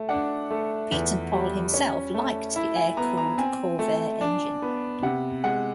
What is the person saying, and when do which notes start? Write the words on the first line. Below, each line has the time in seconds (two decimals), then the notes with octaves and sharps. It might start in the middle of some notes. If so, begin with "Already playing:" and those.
Pietenpol himself liked the air-cooled Corvair engine.
Already playing: A3
0.09 D4 F#5
0.51 A3
0.92 E2
1.33 G3
1.74 C#4
2.14 A3
2.56 E4
2.76 G#5
2.97 B3 A#5
3.17 A#5
3.38 C4 G#5
3.79 A3
4.21 D4
4.62 B3
5.03 C3 F#5
5.44 G#3 F#5